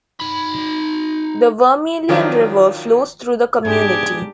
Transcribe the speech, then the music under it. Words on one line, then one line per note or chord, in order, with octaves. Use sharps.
The Vermillion River flows through the community.
D#4 B5
D#3 F3 F#3 D4 F4
G#2 B3 D4 G4 G#4 G#6